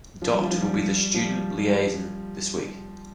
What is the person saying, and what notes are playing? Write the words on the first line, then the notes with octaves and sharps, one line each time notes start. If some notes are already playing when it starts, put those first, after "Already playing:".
Dot will be the student liaison this week.
F3
G3
F3
F3
G3
F3
G3